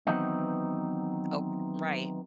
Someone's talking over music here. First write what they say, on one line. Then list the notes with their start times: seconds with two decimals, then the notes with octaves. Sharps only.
Oh, right.
0.07 D#3 E3 F#3 B3 C4 D#4